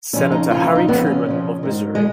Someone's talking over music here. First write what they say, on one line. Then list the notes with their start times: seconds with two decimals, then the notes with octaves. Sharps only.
Senator Harry Truman of Missouri.
0.13 F2 C#3 F3 C#4
0.32 D#4
0.51 F2 C#3 F3 F4
0.64 F4
0.75 D#4
0.88 F2 C#3 F3 B3
1.06 C#4
1.26 F2 C#3 F3
1.63 G#2 D#3
1.95 G#3